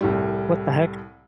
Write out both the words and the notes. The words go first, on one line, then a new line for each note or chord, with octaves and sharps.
What the heck?
C2 A2 G3